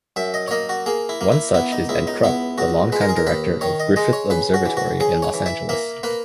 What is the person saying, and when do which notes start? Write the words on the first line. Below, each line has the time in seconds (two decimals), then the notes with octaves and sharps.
One such is Ed Krupp the long-time director of Griffith Observatory in Los Angeles.
0.16 F#2 E5
0.34 D#5
0.48 C#5
0.51 A#3 D#5
0.69 F#4
0.86 A#3 G#4
1.09 E4
1.21 A#3
1.32 E4
1.54 B3 E4
1.72 D#4
1.89 C#2 E4
2.07 D#4
2.23 B3 E4
2.58 C#2 F#4
2.92 G#3 B4
3.01 A#4
3.09 G#4
3.16 A#4
3.27 D#2 B4
3.61 D#3 C#5
3.80 D#5
3.96 G#3 D#5
4.13 C#5
4.30 C#3 B4
4.54 F#4
4.66 E3
4.77 F#4
5.00 C#3 G#4
5.22 C#5
5.34 E3
5.46 E5
5.69 A#3 E5
6.03 A#3 B4